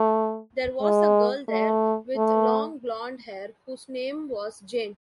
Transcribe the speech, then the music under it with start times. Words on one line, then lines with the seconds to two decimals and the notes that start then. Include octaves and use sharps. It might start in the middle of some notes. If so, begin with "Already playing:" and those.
There was a girl there with long blond hair whose name was Jane.
Already playing: A3
0.81 G#3
1.49 A3
2.17 A3